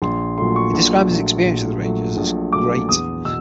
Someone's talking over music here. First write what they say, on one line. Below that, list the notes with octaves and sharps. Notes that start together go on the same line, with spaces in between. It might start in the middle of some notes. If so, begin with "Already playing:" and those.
He described his experience with the Rangers as great.
A#1 C6
A#2 F#3 A3 C6
C#6
A#1
A#2 F#3 A3
A#1
A#2 F#3 A3
A#1
A#2 F#3 A3 D6
E2 D#6
B2 E6